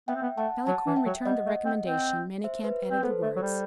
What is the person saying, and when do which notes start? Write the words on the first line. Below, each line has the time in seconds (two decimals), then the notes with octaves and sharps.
Malicorne returned the recommendation; Manicamp added the words.
0.08 B3 E5 G5
0.15 C4
0.22 B3
0.38 A3 F#5 A5
0.67 F#3 F#5 A5
0.87 E3
0.96 E5 G5
1.06 F#3
1.26 G3 D#5 F#5
1.46 A3
1.65 C4
1.85 C4
2.44 C5 E5
2.64 B4
2.83 B4
2.90 C4
3.03 B3 A4 C5
3.23 A3
3.36 F#3
3.42 G3